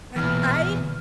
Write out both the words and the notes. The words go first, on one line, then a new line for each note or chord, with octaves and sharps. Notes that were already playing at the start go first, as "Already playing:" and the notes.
right I uh
B1 E2 A#2 E3 F6